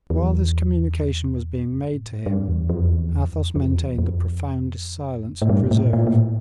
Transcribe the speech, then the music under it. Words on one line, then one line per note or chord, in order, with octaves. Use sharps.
While this communication was being made to him, Athos maintained the profoundest silence and reserve.
E2
F2
G2
A2
G2
G2
E2
F2
E2
F2
F2
E2
F2
A2
G2
A#2
A2
A#2
A2